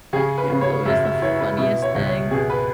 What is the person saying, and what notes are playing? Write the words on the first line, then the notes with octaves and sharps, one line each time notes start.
It was always the funniest thing.
C#3 G#4
B4
C#3
C#5
F#2 E5
E5
E3 C#5
B4
B2 E4
C#5
C#2
C#5
B2 G#4
B4